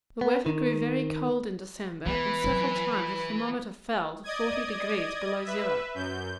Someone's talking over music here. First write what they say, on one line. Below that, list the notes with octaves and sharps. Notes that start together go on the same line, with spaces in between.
The weather grew very cold in December, and several times the thermometer fell to forty degrees below zero.
B3
D#3
E3 B3 B4
F#3 E4
D5 D#5 D#6 G#6
B4 E5
F#2 G6